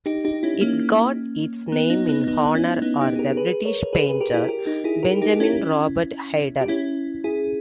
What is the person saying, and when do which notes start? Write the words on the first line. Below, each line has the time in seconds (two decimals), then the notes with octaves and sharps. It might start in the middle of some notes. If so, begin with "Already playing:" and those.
It got its name in honor or the British painter, Benjamin Robert Haydon.
0.06 D#4 G4
0.25 D#4 G4
0.43 C#4 E4
0.61 A#3 C#4
1.72 B3
1.90 B3 D#4
2.09 B3 D#4
2.27 B3 D#4
2.55 C#4 E4
2.82 B3 D#4
3.01 D#4 G4
3.15 G#4
3.19 G4 A#4
3.37 G#4 B4
3.65 A#4 C#5
3.93 G#4 B4
4.06 G#4 B4
4.20 G4 A#4
4.34 E4 G#4
4.48 G4 A#4
4.66 D#4 G4
4.84 E4 G#4
5.03 G4 A#4
5.21 D#4 G4
5.40 C#4 E4
6.61 G4
6.68 C#4 E4
7.24 E4 G#4